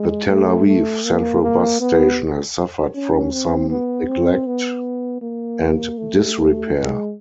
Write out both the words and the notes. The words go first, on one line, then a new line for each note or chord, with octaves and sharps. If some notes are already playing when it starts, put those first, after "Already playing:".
The Tel Aviv Central Bus Station has suffered from some neglect and disrepair.
Already playing: G#3
A3
A3
A#3
A#3
B3
C#4
C4
B3
C4
B3
A#3
A3
G#3